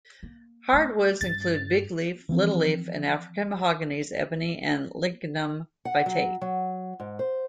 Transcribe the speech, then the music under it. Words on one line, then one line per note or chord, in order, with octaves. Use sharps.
Hardwoods include big-leaf, little-leaf, and African mahoganies, ebony and lignum vitae.
A#3
A3 C#4
G2 C#4 A6
E3 F3 C4
F#5
F#3
F#3
G#2
C5